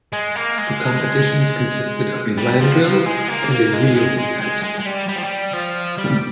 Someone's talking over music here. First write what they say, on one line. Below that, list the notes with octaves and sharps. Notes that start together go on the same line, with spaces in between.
The competitions consisted of a land drill and 'reel test'.
G#3
A#3
G#3
G3
F3
F3
G#3
A#3
A#3
G#3
G#3
G#3
G#3
G#3
G#3
G3
G3
F3
G3
F3
G3